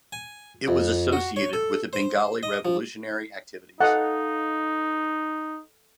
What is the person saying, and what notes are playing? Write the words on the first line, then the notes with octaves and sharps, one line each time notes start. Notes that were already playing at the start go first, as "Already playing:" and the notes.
It was associated with the Bengali revolutionary activities.
G#5
F2
F#4
C#5
A4
C5
D#5
F3
D#4 A4 D#5 F5 F#5